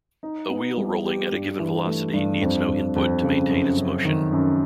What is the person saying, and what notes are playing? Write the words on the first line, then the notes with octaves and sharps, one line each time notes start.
A wheel rolling at a given velocity needs no input to maintain its motion.
D#4
B3
G3
G4
G2
E3
A3
G2
F2
F2
F2
C#3
F#2
F#2
D#3
F#2